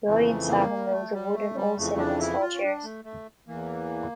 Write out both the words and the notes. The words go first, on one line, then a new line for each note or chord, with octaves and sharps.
The audience sat on rows of wooden old cinema-style chairs.
F2 C#3 E3 A3
A#3
A3
G3
A3
G3
F2 C#3 E3 A3
D4
E4
F4
C#4
D4
A3
A3
E2 E3 A#3